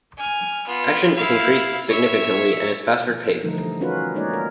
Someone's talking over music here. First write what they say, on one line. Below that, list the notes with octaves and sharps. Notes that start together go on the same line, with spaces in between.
Action is increased significantly and is faster-paced.
G#5 F6
B3 F4
E4 F5
C#5 E5
B2
D3 E3 F3 G3 A3 D#4
C#4 D#4 F4 F#4 A#4 B4
G#3 A#3 D#4 C#5 D5
A#4